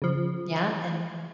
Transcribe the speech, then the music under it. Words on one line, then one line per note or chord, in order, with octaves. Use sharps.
Yeah, and
C#3 F3